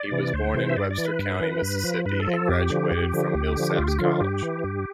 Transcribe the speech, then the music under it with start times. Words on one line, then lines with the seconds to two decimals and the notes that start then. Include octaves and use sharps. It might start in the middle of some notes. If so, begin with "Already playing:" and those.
He was born in Webster County, Mississippi and graduated from Millsaps College.
Already playing: D5
0.12 C3 E3
0.33 D2 C5
0.54 C3 E3
0.70 E5
0.76 G2 D5
0.91 D5
0.98 E3
1.05 B4
1.19 G2
1.40 E3
1.62 G2
1.84 F3
2.06 G2 B4
2.20 A4
2.27 F3
2.34 A4
2.48 F2 G4
2.70 D3 F3
2.91 F2
3.13 D3 F3
3.34 D2
3.57 D3 F3
3.78 D2 F4
3.87 G4
3.99 D3 F3 F4
4.21 G2 G4
4.42 E3
4.64 G2